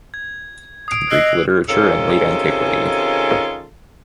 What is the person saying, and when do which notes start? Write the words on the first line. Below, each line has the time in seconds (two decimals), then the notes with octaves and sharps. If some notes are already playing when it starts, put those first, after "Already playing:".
Greek Literature in Late Antiquity.
0.14 G#6
0.88 D#6 C7 D7
1.11 D#5 E6 F#6 C7
1.68 C3 D#3 C#4 F4 G#4 A4